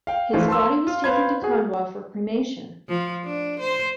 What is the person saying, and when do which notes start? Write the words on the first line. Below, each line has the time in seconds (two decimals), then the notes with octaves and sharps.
His body was taken to Khandwa for cremation.
0.07 F5 G5
0.33 E3 F3 A3 D#4 F4 A#4
0.48 A5 C6 E6
0.87 F4
1.04 B4 C5 F5 B5 C6 G#6
1.42 F#4 G#4
2.89 F3
3.24 D4
3.59 C5